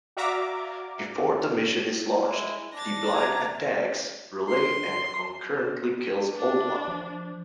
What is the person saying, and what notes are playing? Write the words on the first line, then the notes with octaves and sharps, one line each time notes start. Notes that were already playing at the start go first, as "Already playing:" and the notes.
Before the mission is launched, the Blight attacks Relay and concurrently kills Old One.
F#4 D5 E5 F5 A#5 D6
G#3 E4
D4 A6 A#6
A#5 G#6
C6
D4
F3